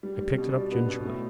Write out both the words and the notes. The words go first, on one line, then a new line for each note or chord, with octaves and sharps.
I picked it up gingerly.
G3
G3
B2
D4
B3
B2
A2